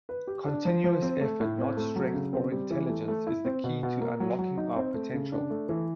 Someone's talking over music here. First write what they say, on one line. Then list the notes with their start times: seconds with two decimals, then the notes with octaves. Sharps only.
Continuous effort – not strength or intelligence – is the key to unlocking our potential.
0.09 B4
0.27 G4
0.46 D4
0.65 F3
0.84 F3
1.02 C4
1.21 A3
1.40 A2
1.58 C4
1.77 A3
1.96 F#3
2.14 C#3
2.33 C4
2.52 G3
2.71 E3
2.89 A3
3.08 A3
3.27 E4
3.45 C4
3.64 B2
3.83 B2
4.01 A#3
4.20 F#3
4.39 F#3
4.58 D#4
4.76 C4
4.94 A3
5.14 C#3
5.32 D4
5.50 A3
5.69 E3